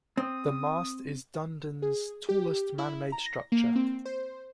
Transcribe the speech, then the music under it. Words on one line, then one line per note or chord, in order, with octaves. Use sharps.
The mast is Dunedin's tallest man-made structure.
C4 D#6
G#4
G4
E4
A#5
A#6
A#3
C4
C5